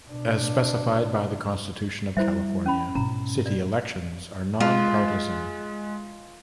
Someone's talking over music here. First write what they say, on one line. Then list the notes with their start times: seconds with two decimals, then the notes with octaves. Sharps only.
As specified by the Constitution of California, city elections are non-partisan.
0.11 B2 D4
2.17 G3 E4 C5 E5
2.66 C#4 B5
2.95 G#2 B2 C#4 A#5
3.46 D5
4.60 G#3 F4